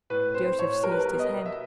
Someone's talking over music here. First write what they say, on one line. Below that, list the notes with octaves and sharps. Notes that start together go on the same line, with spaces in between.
Joseph seized his hand.
A2 B4
C4 C5
A2 C#5
G3 A#4
B4
A#4
B3
D#5
B2
E5